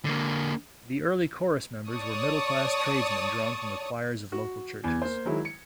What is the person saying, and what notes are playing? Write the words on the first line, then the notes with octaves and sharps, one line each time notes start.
The early chorus members were middle-class tradesmen drawn from the choirs of local churches.
D3 A#3
C#5 D5 A5 C#6 D#6
F#4
E2 G#6
A#3 C5
D#3 F#3 G#3 E4
C#7